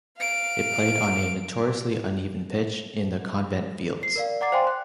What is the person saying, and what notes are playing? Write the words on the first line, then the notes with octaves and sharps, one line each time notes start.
It played on a notoriously uneven pitch in the 'Convent Fields'.
F5 D7
C7
A#4 D5 F5
D5 F#5 A#5 D6 A6 C7
C5 F5 G5 G#5 C6
F#6